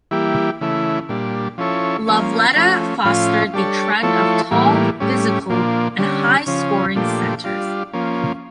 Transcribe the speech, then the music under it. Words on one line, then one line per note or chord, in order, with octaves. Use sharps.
Lovellette fostered the trend of tall, physical and high-scoring centers.
E3 G3 A#3 E4 G4
C#3 E3 A3 E4
A#2 G3 D4
F3 C#4 E4 A4 C#5
F3 A#3 C#4
F3 A3 C#4
A2 F3 C#4 F4
G3 D4 A4 C#5
F3 A3 E4 A4 C#5
A2 E3 G3 A#3
A2 G3 C#4
A#2 F3 A#3 D4
D3 G3 C#4
C#3 F3 C#4
A#2 F3 A3 D4 G4
G3 D4 F4
F3 A#3 C#4